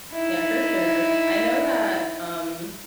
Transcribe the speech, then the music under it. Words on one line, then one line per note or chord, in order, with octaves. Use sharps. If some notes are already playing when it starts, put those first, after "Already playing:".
Yeah, for sure. I know that, um
D#4 E4